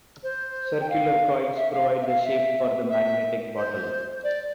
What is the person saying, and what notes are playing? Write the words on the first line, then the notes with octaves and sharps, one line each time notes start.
Circular coils provide the shape for the magnetic bottle.
C5
G5
F5
E5
F5
E5
F5
E5
E5
C5
D5